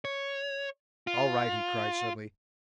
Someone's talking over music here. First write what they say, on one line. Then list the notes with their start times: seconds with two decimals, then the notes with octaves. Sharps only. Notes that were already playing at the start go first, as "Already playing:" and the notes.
"All right!" he cried suddenly.
0.05 C#5
1.07 F4